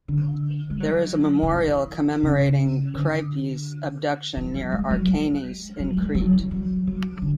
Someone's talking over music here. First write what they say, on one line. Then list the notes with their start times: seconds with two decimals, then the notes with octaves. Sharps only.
There is a memorial commemorating Kreipe's abduction near Archanes in Crete.
0.08 D3
0.70 G#3
0.80 F#3
1.43 D3
1.51 E3
2.23 C#3
2.94 D3
4.37 E3
4.54 F#3
4.72 G#3
4.91 F#3
5.08 G#3
5.80 F#3
5.97 G#3
6.15 F#3
6.33 E3
6.51 F#3
6.87 F#3
7.22 D3